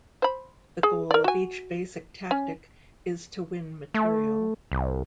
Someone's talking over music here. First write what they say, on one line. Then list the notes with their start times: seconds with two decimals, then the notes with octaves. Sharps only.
The goal of each basic tactic is to win material.
0.22 C5 B5
0.83 G#4
1.11 A#4 D5
1.24 F#4 G#5
2.31 C#4
3.94 A3
4.72 C2